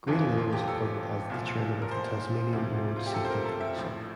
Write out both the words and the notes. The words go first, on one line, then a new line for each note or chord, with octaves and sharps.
Green later was appointed as the chairman of the Tasmanian Road Safety Council.
G1 F2 E3 F4
F4
G4
A4
C2 A#2 F3
A#4
C5
D2 C3 F3
F4
G4
A4
C5
A#4
A4
E5
A#1 A2 F3